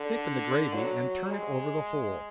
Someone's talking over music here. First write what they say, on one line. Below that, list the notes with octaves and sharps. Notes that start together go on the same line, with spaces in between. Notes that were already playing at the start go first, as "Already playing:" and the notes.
Thicken the gravy and turn it over the whole.
Already playing: D3
F#3
G#3